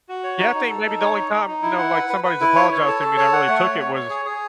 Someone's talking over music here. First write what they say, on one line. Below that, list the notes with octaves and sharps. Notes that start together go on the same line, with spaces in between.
Yeah, I think maybe the only time, you know, like, somebody's apologized to me and I really took it was
F#4
C#5
D#4
D#4
A4
D#4
C#5
D#4
D#4
D#4
E4
F#5
B4
B4
B4
E4
C#5
C#5
A4
A4
C#5
F#5
A3
C#5
C#5
C#5
G#4
G#4